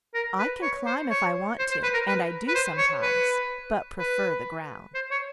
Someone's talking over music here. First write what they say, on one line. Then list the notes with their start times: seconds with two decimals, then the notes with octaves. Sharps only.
"I can climb if I want to, and I do sometimes, but prefer the ground."
0.15 A#4
0.38 B4
0.62 C#5
0.86 C5
1.10 C#5
1.59 C5
1.71 C5
1.83 B4
1.94 A#4
2.07 B4
2.48 B4
2.55 C5
2.78 C#5
3.02 B4
3.99 B4
4.94 C5
5.11 C#5